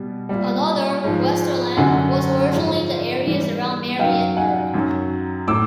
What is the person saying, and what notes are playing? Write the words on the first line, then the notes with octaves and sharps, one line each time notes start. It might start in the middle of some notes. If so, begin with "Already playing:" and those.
Another, Westerland, was originally the areas around Marienburg.
Already playing: B2 G3
A#2 G3
G#2 F3
F#2 D3 F#3 F#5 G#5
G#2 F3
G#2 E3 G3
F#2 D#3 F#3 F5 G5
F#5 G#5
F#2 D#3 F#3
A2 D6 E6